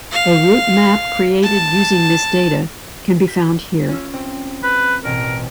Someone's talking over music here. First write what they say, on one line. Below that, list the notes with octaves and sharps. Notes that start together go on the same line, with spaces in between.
A route map created using this data can be found here.
F5
A5
G6 B6
C#4 F4 E6
C4
B4
A1 B2 C4 A#4